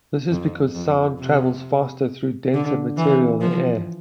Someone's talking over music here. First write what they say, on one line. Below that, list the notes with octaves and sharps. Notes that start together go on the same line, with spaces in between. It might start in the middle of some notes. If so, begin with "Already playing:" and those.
This is because sound travels faster through denser material than air.
F2
F2
C3
D3
E3
F3